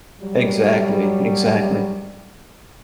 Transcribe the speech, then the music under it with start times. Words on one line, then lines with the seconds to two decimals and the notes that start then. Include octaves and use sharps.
Exactly, exactly.
0.20 F#3 G3